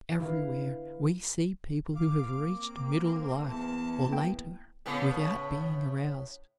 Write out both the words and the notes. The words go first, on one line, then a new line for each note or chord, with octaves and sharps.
Everywhere we see people who have reached middle life or later without being aroused.
D3 E4 B4 F5
F5 D6
A#3 C4
E2 A5
A#3 G5
A2 C#3 B3